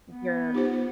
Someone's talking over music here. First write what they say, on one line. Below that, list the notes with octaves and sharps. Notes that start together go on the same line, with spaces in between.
n you're
B3
D#4 F4 G4 C5